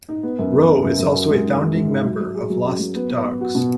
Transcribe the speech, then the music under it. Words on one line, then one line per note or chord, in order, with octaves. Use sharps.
Roe is also a founding member of Lost Dogs.
D#4
B3
F#2
B3
C#3
F#2
F#2
F#4
G#3
D#4
G#3
G#2
D#4
F#3
F#3
G#4
F#3
C#4
F#3
B3
B3
B3
F#4
B2